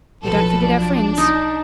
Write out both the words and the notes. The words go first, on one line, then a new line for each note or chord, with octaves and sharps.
We don't forget our friends.'
B1 F3 A4 B4
D4
D#4